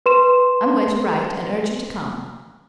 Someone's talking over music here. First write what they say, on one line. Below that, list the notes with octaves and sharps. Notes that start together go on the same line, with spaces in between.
I'm going to write and urge her to come.
B4 C6 E7